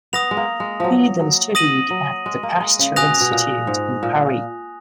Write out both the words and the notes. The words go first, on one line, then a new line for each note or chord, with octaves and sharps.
He then studied at the Pasteur Institute in Paris.
B3 D#6 A#6 F7
G#3
A#3
G#3
F3 F#3
F#3
D#6 A#6 D#7 F#7
F#3
G#3
A#3
G#3
C#3
B2 G#5 D#6 F#6 A#6 F7
B2
A#2
G#2
A#2